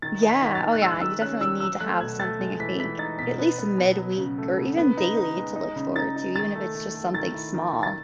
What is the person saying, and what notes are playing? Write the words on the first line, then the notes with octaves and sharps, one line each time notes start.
Yeah. Oh, yeah, you definitely need to have something, I think. At least midweek, or even daily to look forward to, even if it's just something small.
D#3 A6
D#4
B6
D#3 B6
A6
D#3
F#6
G#3 E6
F#6
D#3 E6
C#4 F#6
D#3 E6
F#3 E6
A3 F#6
B2 G#6
A3 A6
G#3
E3 B6
E3 B6
D#4 A6
B2 B6
B3
B3
B2
F#3
C#3
A3
C#3
B3
D#4
D#4
G#3
D#4
C#3
D#4 A6
D#4
D#3 A6
A3
A3
A3
D#3 A6
E4
D#3
D#3
A6